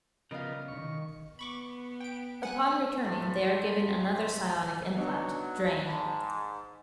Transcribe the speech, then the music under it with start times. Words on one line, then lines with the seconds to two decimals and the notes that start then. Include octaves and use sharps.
Upon returning, they are given another psionic implant, drain.
0.31 C#3 F3 G3 B3 A#4 D#5 F5
0.68 D#3 C#6
1.39 B3 B5 C#6 D6
2.00 G5 D7
2.43 F#5 G#5 F#6
3.04 A2 A#3 A4 A5 B5 C6
4.97 F#3 B3 D4 D#4
5.86 G#2 A5 B5